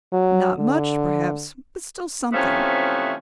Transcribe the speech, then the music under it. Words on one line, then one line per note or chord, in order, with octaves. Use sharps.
"Not much, perhaps, but still something."
F#3
D3
C3 E3 F3 A3 B3 C#4